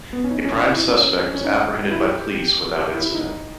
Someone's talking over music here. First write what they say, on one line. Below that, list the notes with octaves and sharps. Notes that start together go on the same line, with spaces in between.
A prime suspect was apprehended by police without incident.
B3
C#4
D#4
C#4
D#4
E4
C#4
C#4
D#4
E4
G4
G4
E4
E4
D#4